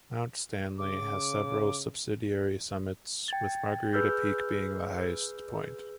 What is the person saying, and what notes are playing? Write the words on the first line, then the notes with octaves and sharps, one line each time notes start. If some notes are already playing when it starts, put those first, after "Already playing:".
Mount Stanley has several subsidiary summits, with Margherita Peak being the highest point.
C#3 D6
G5 G#6 A6
G#4 B4 E6 F6 G6